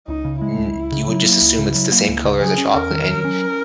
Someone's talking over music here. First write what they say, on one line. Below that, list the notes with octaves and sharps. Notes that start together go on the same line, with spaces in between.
n you would just assume it's the same color as the chocolate. And
C#2 D#4
C#3
G#3 E4
C#2
C#2
C#3
F#3
A#3
C#2
C#3
F#3
A#3
C#2
C#3
F#3 G#4
C#4
E2 A#4
D#3
F#3
C#4